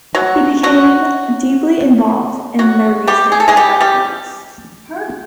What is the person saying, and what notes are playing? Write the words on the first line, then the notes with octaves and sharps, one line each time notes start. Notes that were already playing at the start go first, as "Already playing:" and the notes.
He became "deeply involved" in their research efforts.
F#3 F#4
F#3 F#4
F#3 F#4
G3 G4
G#4
A4
G#3 G#4
G3 G4
G3 G4